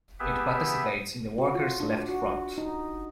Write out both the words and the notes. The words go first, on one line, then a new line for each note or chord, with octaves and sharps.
It participates in the Workers' Left Front.
B3 G4 G#4 B4 E5
F#4
F4
D4
F#4
D#4